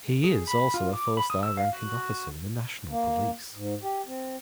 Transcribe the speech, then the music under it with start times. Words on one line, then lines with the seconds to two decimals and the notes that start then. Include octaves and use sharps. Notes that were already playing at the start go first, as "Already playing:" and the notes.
He is also a four-star ranking officer in the National Police.
0.24 G#4
0.47 B5
0.74 F4
0.93 D6
1.17 B5
1.30 D#6
1.43 E6
1.57 F5
1.73 F#4
2.91 A#3
3.55 G#2
3.83 G4
4.07 C4